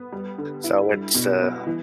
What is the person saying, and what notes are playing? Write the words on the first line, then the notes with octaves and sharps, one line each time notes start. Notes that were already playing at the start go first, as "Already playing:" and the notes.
So it's uh,
Already playing: B3
G3
D3
E4
G3
B2
B3
E3